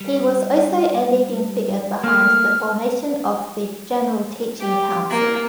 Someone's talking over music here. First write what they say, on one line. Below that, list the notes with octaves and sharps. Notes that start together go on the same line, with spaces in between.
He was also a leading figure behind the formation of the General Teaching Council.
G3
A3 A#3 F6
G4
A#3